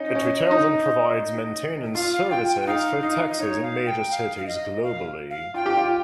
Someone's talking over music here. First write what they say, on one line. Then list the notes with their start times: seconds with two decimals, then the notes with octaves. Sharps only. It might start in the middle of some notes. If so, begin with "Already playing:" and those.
It retails and provides maintenance services for taxis in major cities globally.
Already playing: C#4 D#4 D#5
0.15 C#4
0.51 D#4
1.94 F4 F5
2.13 F5
2.30 F4 G5
2.49 G5
2.61 G5
2.67 D#4 F5
3.02 D#4 F5
3.28 D#5
3.39 D#4 C#5
3.62 F5
3.86 G5
4.11 F5
4.37 F5
4.46 D#5
4.83 F5
5.30 F5
5.54 F4 G5
5.66 G4
5.77 F4